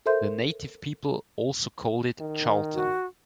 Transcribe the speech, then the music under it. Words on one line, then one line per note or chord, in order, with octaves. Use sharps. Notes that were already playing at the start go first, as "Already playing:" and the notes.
The native people also called it Chalten.
A4 A#4 C5 E5 C6 G6
D#3
F#4